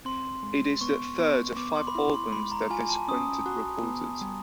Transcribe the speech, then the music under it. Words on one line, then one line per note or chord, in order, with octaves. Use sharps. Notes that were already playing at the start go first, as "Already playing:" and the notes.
It is the third of five albums that this quintet recorded.
C4 C6
G#3
B3 C#6
B3
B3 D6
C6
B5
E4 C6
C6
G#3 B5
A#5
F4 G#5
A5
C#4 D#6
F#4
B3
G3